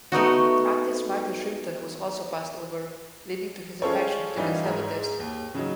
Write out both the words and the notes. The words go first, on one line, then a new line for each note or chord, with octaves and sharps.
Activist Michael Shrimpton was also passed over, leading to his defection to the Conservatives.
A3 B3 D#4 F#4
G#3 C#4 F4 A4 C5 C#5
E3 G3 C#4 D#4 F4
G#2
D#2
C#3 F#3 D#4